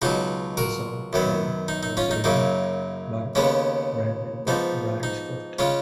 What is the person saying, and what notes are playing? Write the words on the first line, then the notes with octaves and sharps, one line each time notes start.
The song "Time" was written by bandmember Bryan Scott.
C#2 B2 F#3 D#4 F#4
F#4 A#4
F#2 D#3 F#3 B3
D#4
D#4
C#4 F4
D#4
F#2 C#3 F#3 A#3 D#4
D#2 C#3 G#3 B3 C#4
G#2 F3 B3 D#4
D#4
C#3 G#3 C#4 F4